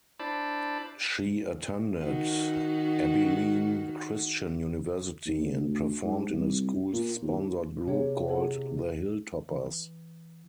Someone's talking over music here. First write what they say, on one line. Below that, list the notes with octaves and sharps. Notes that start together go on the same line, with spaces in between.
She attended Abilene Christian University and performed in a school-sponsored group called The Hilltoppers.
D4 E4 C5 D5 A5 B5
D#3 F#4
D#2
D2
G#2
C2
A#2
D#2
C3 B3 G#4 C#5
E4 G#4 F#5
E3